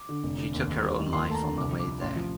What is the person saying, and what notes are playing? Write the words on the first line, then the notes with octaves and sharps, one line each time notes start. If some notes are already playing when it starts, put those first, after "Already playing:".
She took her own life on the way there.
Already playing: D6
D3
F1
D3
D#2
D#2
G3
D#3
D#2 C6
A3 A5
A#5
D3
C2 D6
F3
D6
C3
A1 C6
F3